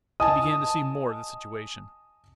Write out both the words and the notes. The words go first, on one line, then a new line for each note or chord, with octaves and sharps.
He began to see more of the situation.
D#5 G#5 A5 D#6